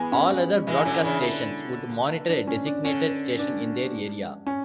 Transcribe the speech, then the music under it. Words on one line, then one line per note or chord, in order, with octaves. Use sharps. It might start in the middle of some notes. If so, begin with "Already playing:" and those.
All other broadcast stations would monitor a designated station in their area.
Already playing: E3 G#3 B3
C#4
E3 G#3 E4
D3 F#3 C#4
C#3 E3 D4
D3 E4
D4
C#4
D4
D3 C#4
D4
C#4